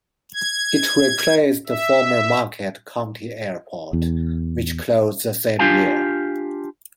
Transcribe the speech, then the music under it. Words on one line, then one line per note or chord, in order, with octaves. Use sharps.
It replaced the former Marquette County Airport which closed the same year.
G#6
E5
E2
D4 F4 G4 F5 G#5